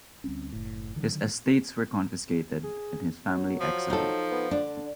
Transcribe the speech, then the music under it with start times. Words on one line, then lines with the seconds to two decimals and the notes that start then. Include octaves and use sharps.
His estates were confiscated and his family exiled.
0.24 D2 G3 C4 C#4
0.53 F#1 A2
0.96 D3 D#3 F#3
2.64 G#4
3.30 F#3
3.61 F3
3.90 D#4 A4
4.32 B3
4.51 D3 D4